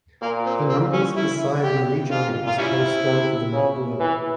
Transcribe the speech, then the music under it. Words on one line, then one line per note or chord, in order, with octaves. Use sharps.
The numbers beside the region names correspond to the map below.
A#2 A#3
C4
C4
C#4
E4
G4
G#2 F4
A#2 F4
G3 C#4 E4
C3
C3
C#3
E3